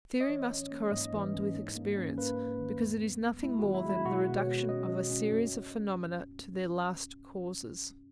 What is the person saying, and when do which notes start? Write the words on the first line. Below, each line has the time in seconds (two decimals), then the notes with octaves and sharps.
Theory must correspond with experience, because it is nothing more than the reduction of a series of phenomena to their last causes.
0.21 D#5
0.29 E3 C#5
0.51 C#4
0.71 A#3
0.91 G#2 D#5
1.13 E3
1.34 C#4
1.54 G#2
1.75 A#3
1.97 C#4
2.18 A#3 B4
2.38 C#4
2.59 D#3
2.80 E2
3.01 B3
3.22 B3
3.43 G#3 E4
3.59 F#4
3.64 D#3
3.74 E4
3.85 G#3 E4
4.05 B2 F#4
4.27 B2
4.37 C#5
4.47 B2
4.68 C#4 D#5
4.89 B2
5.10 C#4
5.31 F#2